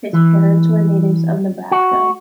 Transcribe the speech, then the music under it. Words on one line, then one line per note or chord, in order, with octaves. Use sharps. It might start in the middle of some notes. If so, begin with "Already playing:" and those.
His parents were natives of Nebraska.
E3
F#4